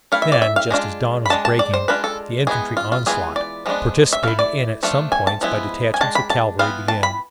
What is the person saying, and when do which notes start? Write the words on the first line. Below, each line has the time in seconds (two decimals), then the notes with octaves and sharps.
Then, just as dawn was breaking, the infantry onslaught, participated in at some points by detachments of cavalry, began.
0.12 A3 E4 F5
0.22 E5
0.32 D5
0.42 E5
0.56 F5
0.71 G#3 B3 D4 F4
1.26 B5
1.30 G#3 D4 A5
1.45 A5
1.59 D5
1.74 C5
1.88 G#3 D4 F4 B4
2.04 A4
2.47 E3 G#3 B3 G#4
2.77 F4
2.92 F4
3.06 E3 G#3 B3 F4 G#4
3.36 D5
3.66 F3 G#3 B3 D4
4.13 E5
4.23 A3 E4 F5
4.39 D5
4.83 F3 A3 D4 F4
5.12 G#5
5.27 A5
5.41 F3 G#3 B3 E4
5.94 G#5
6.01 G#3 D4 A5
6.15 B5
6.30 A5
6.59 E3 B3 F4 F5
6.88 A5
7.03 B5